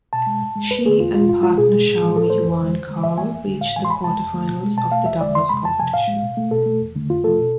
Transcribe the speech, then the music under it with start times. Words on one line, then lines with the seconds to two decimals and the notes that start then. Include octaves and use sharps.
She and partner Shao-Yuan Kao reached the quarterfinals of the doubles competition.
0.13 B2 A5
0.27 G#3
0.41 G#2
0.56 G#3
0.70 E2 B4
0.85 D3 A3 G#4
1.00 E2 F4
1.14 B2 G#3 F4
1.29 G#2 F4
1.43 G#3 F4
1.58 B2 G#4
1.72 G#3
1.87 A2
2.02 E3 G#3
2.16 A2 A4
2.30 F3 A3 C5
2.44 F2
2.60 D3 F3 G#3
2.73 E2
2.89 D3 G#3
3.04 G#2 E5
3.17 E3 A3 G#5
3.32 E2
3.47 D3 G#3
3.61 A2 F5
3.76 E3 G#3 G#5
3.85 C6
3.90 E2 B5
4.04 C3 G#3 A5
4.20 F2
4.34 D3 F3 A3
4.48 B2
4.63 G#3
4.77 B2 A5
4.92 A3 F5
5.06 E2 E5
5.21 D3 F3 G#3 D5
5.35 E2 C6
5.49 C3 G#3 B5
5.65 F2 A5
5.79 C3 F3 G#5
5.93 A2 F5
6.08 G#3
6.22 B2
6.37 A3
6.51 B2 A4
6.66 A3
6.81 E2
6.95 D3 A3
7.10 F2 F4
7.24 C3 F3 A3 A4
7.39 B2